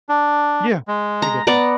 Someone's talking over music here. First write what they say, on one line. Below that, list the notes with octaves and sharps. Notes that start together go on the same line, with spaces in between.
Yeah. I get that.
D4
G#3
A#5
B3 D5 A#5